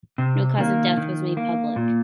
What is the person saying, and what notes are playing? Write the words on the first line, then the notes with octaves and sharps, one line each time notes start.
No cause of death was made public.
C3
D#3 A#3
D#3
A#3
A#2